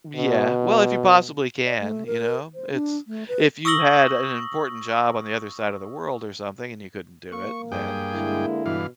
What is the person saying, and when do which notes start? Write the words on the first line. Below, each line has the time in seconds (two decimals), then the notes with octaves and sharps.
Yeah. Well, if you possibly can. You know? It's if you had an important job on the other side of the world or something and you couldn't do it, then
0.16 B2
1.65 D5
1.80 A3
2.06 A#4
2.54 C5
2.73 D4
3.07 A3
3.28 B4
3.65 C#6 D#6 E6 A#6 F#7 G7
7.32 A#3 C#6
7.72 G2 G#4 G5
8.13 D3 G#3 E4
8.66 G2 B2 E3 F5